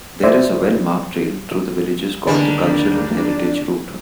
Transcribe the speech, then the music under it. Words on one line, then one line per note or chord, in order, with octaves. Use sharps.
There is a well-marked trail through the villages called The Cultural Heritage Route.
C5 D5 E5
D#2 D3 G3 A#3 D4 D#5 G#5